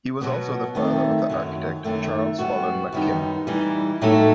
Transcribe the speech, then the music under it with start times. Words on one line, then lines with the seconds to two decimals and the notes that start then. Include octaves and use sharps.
He was also the father of the architect Charles Follen McKim.
0.21 B2 F#3 B3
0.75 D#3 A3 C4
1.30 F#2 D#3 F#3
1.84 F#2 D#3 A3
2.39 G3 B3 F#4
2.93 F#2 D#3 G3 B3 D#4
3.47 E3 G3 D#4
4.02 A2 F#3 A3 D#4 A4